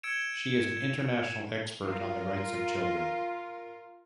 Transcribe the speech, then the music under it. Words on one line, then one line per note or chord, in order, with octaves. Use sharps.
She is an international expert on the rights of children.
E6 G#6 C#7 D7 E7
F4 A#4